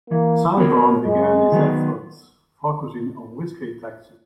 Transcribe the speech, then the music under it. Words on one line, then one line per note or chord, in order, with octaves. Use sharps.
Sanborn began his efforts focusing on whiskey taxes.
E3 A#3
B3 F#4 A#4 C#5
F#2 G#3
D#3 F#3 B3